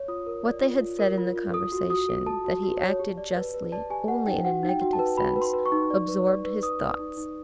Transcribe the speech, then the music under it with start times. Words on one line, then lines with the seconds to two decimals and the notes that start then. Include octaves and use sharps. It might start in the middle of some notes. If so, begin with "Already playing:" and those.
What they had said in the conversation, that he acted justly only in a negative sense, absorbed his thoughts.
Already playing: C#5
0.08 F4 D#6
0.26 A#4
0.45 D5
0.63 F4
0.81 F4
0.99 A#4
1.18 F4
1.36 F4
1.54 A4 D#6
1.72 F#4
1.90 F#4 D#6
2.09 A4
2.27 A4 A5
2.44 F#4
2.63 F#4
2.81 C#5
2.99 G4
3.18 D5
3.36 B4
3.54 B4
3.72 D5 A5
3.90 G4 G#5
4.08 G4 F#5
4.26 D#4 G5
4.44 F#4 F#5
4.63 D#4
4.69 G5
4.81 F#4
4.93 A5
4.99 B4
5.17 F#4 B5
5.36 B4
5.41 C6
5.53 B4
5.66 C#6
5.72 D#4
5.90 D5
6.08 B4
6.27 D5
6.45 B4
6.63 B4 D#6
6.81 D5
6.99 D#4
7.17 D#4